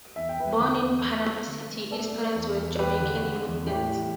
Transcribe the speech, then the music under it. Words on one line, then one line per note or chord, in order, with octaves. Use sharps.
Born in Panama City, his parents were Jamaican immigrants.
E2 E5
G5
E2 B4 E5
D3
E2
A3
A3
D3
A3
A3 A4 D5
A3
E2
E2
E2 G4 B4
D3
D3
E2
A2 G4
E3